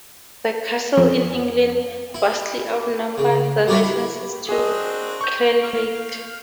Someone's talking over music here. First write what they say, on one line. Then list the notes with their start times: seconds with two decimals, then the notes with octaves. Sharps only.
The castles in England vastly outnumber the licences to crenellate.
0.97 F2
2.14 E4
3.18 C#3
3.67 F#3 G3 C#4 D4 A#4 C#5
3.83 E4
4.49 C4 D4 F#4 G#4 D#5
5.21 C#6 G6
5.64 F5 F6